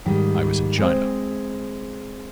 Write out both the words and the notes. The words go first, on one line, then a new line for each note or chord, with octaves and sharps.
I was in China.
G#2 D#3 G3
G#3 C4 C5